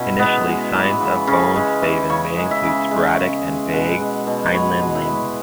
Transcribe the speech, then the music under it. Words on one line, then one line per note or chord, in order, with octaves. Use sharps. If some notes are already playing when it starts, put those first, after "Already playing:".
Initially, signs of bone spavin may include sporadic and vague hindlimb lameness.
Already playing: B2 C#4 E4
G#3 B3
G#3
E3
C#3
C#3 C#4
G#3
E3
C#3 C#5
G#3
E5
C#3
G#3
C#3
G#3
B2 F#5
G#3
B2
G#3 B4 C#5
B2
E4
G#3